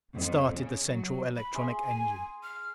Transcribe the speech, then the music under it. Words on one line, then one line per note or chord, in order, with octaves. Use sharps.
And started the central electronic engine.
F2
C#3
F#3
B5
G#4 E5 C6
G#5
F6